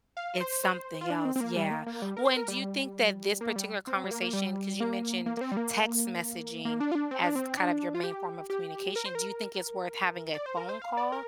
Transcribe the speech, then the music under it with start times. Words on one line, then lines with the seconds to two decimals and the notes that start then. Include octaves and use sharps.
It's something else, yeah, well and do you think that this particular conversation 'cause you mentioned text messaging as kind of your main form of communication, do you think it's worth having a phone call
0.17 F5
0.40 C5
0.64 C5
1.01 F4
1.10 D4
1.25 C4
1.36 C4
1.41 A#3
1.56 G3
1.71 A#3
1.86 A#3
2.02 G3
2.17 A#4
2.25 C5
2.36 A#4
2.48 G3
3.41 A#3
3.56 G3
3.87 C4
4.04 G3
4.11 A#3
4.22 A#3
4.33 G3
4.80 A#3
5.26 A#3
5.37 A#3
5.41 C4
5.52 G3
5.57 A#3
6.65 A#3
6.80 D4
6.92 F4
6.95 D4
7.11 C4
7.24 D4
7.35 C4
7.57 D4
7.95 F4
8.04 G4
8.50 G4
8.96 A#4
9.06 C5
9.15 A#4
10.35 D5
10.46 C5
10.57 A#4
10.69 C5
10.82 F5
10.97 D5
11.12 A#4